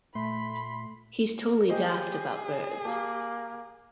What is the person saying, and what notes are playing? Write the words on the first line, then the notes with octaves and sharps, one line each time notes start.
He's totally daft about birds.
A#2 A3 B5 C6
G4 G#4 C5 D#5
A#3 G4 A5